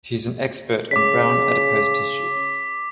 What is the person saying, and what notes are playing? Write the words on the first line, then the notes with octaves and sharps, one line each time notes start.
He is an expert on brown adipose tissue.
C#3 D6 B6